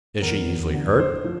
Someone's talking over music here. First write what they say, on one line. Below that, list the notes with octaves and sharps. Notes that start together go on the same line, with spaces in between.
Is she easily hurt?
E2 A#4
E2
D3
D3 C5
F3